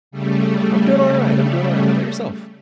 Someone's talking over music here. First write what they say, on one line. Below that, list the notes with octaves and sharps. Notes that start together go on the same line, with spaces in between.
I'm doing alright, I'm doing alright, how 'bout yourself?
C#3 G3 A3